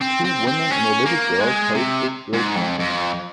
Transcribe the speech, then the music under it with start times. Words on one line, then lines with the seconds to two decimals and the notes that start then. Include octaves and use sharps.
Two women and a little girl pose with trophies.
0.01 C4
0.24 C4
0.47 C4
0.71 C#4
1.06 A#3
1.41 G#3
1.75 C3
2.33 G#2
2.56 F2
2.79 F2